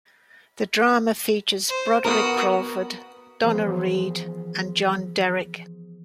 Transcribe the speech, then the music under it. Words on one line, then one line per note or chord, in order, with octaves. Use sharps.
The drama features Broderick Crawford, Donna Reed and John Derek.
C5
B3 F#4 A#4 D#6
E3 F3 B3 G#4 A#4 C5